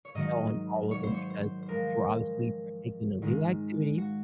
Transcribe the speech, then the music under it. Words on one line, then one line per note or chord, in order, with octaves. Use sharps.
blackmail on all of 'em because they were obviously partaking in illegal activity
C#5
G#2 D#3 F#3 D#5
C#5
C5
C#5
C5
C5
G#2 F3 G#3 A#4
G#2 D#3 G#3
F#4